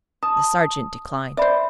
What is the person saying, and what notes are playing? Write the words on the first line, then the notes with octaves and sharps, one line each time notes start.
The sergeant declined.
A5 D#6
C5 D5 E5 B5